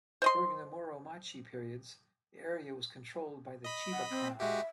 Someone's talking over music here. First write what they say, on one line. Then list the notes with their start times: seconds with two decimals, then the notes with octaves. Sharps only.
During the Muromachi periods, the area was controlled by the Chiba clan.
0.22 C5 D#5 C6
3.64 D#5 B5 B6
3.92 F#5
4.10 C4
4.40 G#3 F#4 G4 E5